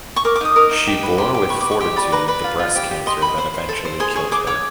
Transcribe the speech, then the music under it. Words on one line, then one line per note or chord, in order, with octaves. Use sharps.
She bore with fortitude the breast cancer that eventually killed her.
C#6
A#4 D6
D6
D#4 D#6
A#4
D#4
G4
B4
G4 C6
G4
B4 C#6
D6
G4
C#6
G4 C6
D5 B5
B4 A#5
B4 B5
F4
F4
G4
G4
D#5 C6
B4 B5
C5
C5
A4
C5
G#4 C6
G#4 C#6
G#4 D6
C#5 D6